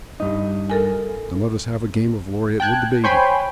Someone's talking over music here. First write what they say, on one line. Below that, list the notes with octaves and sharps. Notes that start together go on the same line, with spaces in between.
Then let us have a game of loriot with the baby!
G2 D#4
A4 A#4 G#5
G5 A5 F#6 G#6
C5 C#5 G5 G#5 B5 C6